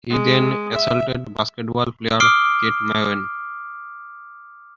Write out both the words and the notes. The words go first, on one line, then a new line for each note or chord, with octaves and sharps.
He then assaulted basketball player Kate McEwen.
G#3
E5
D6 D#6 F6 C7 D7 G7